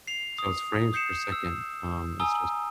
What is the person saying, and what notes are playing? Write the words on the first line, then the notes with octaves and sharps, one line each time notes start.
So, it's frames per second, um, it's just
C7 F7
D#6
D#6 G6 C7 C#7 E7
E6
G#5 A#5 D#6 E6 G7